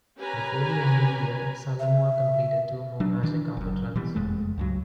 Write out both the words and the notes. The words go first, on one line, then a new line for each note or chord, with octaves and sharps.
Before the end of the year, "Salamaua" completed two more "Magic Carpet" runs.
C#4 G4 B4 G#5 A#5
E5
F#3 D4
D#3 E3 D4
F#1 F#2
B2 E3 G3
F#1 F2 G#3 A3
C#2 G2 F#3